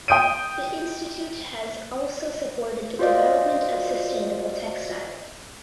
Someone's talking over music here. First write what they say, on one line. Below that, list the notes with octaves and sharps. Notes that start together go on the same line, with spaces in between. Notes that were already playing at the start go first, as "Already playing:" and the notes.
The institute has also supported the development of sustainable textiles.
G5 D#6 G6 D7 D#7
F4 F#4 C5 D5 D#5 F5